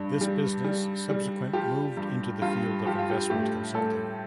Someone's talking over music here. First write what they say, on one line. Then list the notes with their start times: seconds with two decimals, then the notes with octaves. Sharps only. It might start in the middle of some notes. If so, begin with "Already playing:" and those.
This business subsequent moved into the field of investment consulting.
Already playing: G2 D4
0.21 G3
0.64 G3
1.10 G3
1.53 F3 G4
1.97 G2
2.42 G2 F4
2.86 F3 G4
2.99 F4
3.10 G4
3.30 A2 G4
3.75 A2 A4